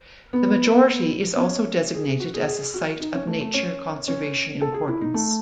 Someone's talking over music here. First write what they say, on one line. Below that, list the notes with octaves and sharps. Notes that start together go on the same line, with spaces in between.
The majority is also designated as a Site of Nature Conservation Importance.
B3
B3
C#4
G#4
G#4
F#4
G#4
G#4
F#4
D#4
C#4
A3
A3
C#4
C#4
A4
G#4
E4
D#4
A3